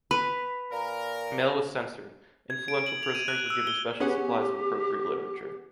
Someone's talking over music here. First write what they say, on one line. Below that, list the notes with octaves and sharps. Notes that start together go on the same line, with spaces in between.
Mail was censored; influential prisoners were given special supplies of appropriate literature.
B4 B5
A#2 A#4
G#6
D7
F#7
F7
D#7
F#6
E6
G7
B3 C#4 G4 G#4 F#5